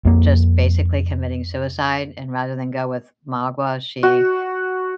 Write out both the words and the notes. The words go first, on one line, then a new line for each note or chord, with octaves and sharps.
just basically committing suicide. And rather than go with Magua, she
F2 A#3
F#4